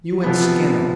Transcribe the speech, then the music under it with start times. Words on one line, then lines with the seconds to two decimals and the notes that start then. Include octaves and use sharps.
"You and Skinner."
0.24 C3 F3 B3